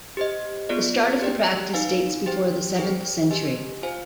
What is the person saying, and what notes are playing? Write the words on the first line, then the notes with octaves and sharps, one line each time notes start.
The start of the practice dates before the seventh century.
G4 C5 D#5
B3 F4 G#4 D5
G4 D5 G5
D#4 B4 F5 G#5
G4 C5 G5
G#4 C5 G5
G4 B4 D#5 G#5
F4 C5 F5 G#5